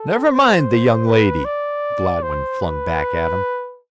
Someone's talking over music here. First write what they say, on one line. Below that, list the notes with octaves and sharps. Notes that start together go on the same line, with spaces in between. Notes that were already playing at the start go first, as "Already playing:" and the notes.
"Never mind the young lady," Gladwin flung back at him.
Already playing: A4
C5
B4
D5
C5
B4